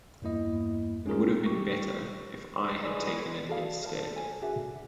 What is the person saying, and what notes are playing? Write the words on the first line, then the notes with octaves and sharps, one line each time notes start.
It would have been better if I had taken it instead!
E2 G2 A#3 E4 D#5
G#3 C#4 D#4 F4 G#4 A#4
G4 C#6
G#3 B4 D5
F#4 A4 D5 F5
A#4 E5 A5
D5
A4 G#5
D4 F#4 G#4 E5